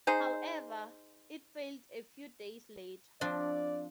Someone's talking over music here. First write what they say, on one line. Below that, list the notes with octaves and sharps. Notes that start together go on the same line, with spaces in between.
However, it failed a few days later.
D#4 G#4 C5
F3 C4 D4 D5